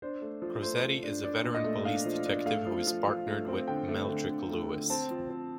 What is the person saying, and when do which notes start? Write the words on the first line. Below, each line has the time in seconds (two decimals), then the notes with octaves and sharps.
Crosetti is a veteran police detective who is partnered with Meldrick Lewis.
0.02 D4 C5
0.22 A3
0.42 F3
0.62 A3 C5
0.84 F3
1.03 D4
1.24 D4 D5
1.44 A#2
1.54 D#5
1.64 A3
1.84 D4 F5
2.06 F3
2.26 D4
2.46 A3 F5
2.67 F3
2.87 F3
3.07 F3
3.27 A3
3.48 C4
3.68 D3 G5
3.88 A3
4.08 D3
4.28 D3
4.50 A3
4.69 D3
4.90 C4 A5
5.11 F3
5.30 C4